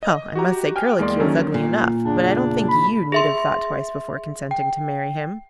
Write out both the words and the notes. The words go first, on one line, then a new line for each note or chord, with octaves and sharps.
'Well, I must say Curlicue is ugly enough, but I don't think YOU need have thought twice before consenting to marry him.'
D#5
F#4 G4 A#5
G5 G#5 F6
E2 G#3 A#3 D5 C6
D#3 F#3 C#4 A4
A#2
E2 C#3 D4
B5
G#4 E5 C6
G5